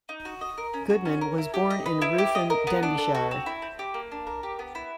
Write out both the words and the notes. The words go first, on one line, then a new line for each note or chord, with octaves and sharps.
Goodman was born in Ruthin, Denbighshire.
D#4
F#4
D#5
A#4
C#4
F#4
C#4
A#4
E4
G4
D#5
B4
E4
G4
D#5
A#4
B3
D4
A4
F#4
C4
E4
C4
G4
A#3
D4
A#4
G4
B3
E4